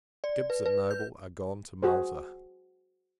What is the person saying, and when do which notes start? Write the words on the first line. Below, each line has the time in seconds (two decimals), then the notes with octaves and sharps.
Gibbs and Noble are gone to Malta.
0.24 D5
0.50 B4
0.66 B4
0.91 G6
1.83 F#4 G#4 C5